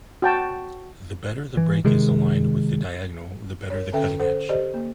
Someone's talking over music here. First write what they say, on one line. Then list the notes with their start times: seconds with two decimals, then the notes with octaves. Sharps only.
The better the break is aligned with the diagonal, the better the cutting edge.
0.22 F#4 G5 A5
1.57 E3
1.85 C3 D#3 G#3
3.70 A#4 C#5
3.93 D3 C#4 A4 E5 G5
4.20 A4 C5 F#5
4.49 G4 C5 D5 D#5
4.74 A#3